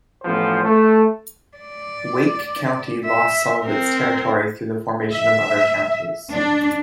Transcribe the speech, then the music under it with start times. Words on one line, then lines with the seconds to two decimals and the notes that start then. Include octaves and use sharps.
Wake County lost some of its territory through the formation of other counties.
0.23 A1 F3 B3 C5
0.63 A3
1.57 D5
3.05 E5
3.66 C4 A#4
5.14 E5
6.33 D4